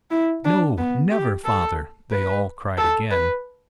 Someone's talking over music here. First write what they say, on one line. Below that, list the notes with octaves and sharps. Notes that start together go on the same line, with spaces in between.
"No, never, father!" they all cried again.
E4
D4
B3
G4
A4
B4
A4
B4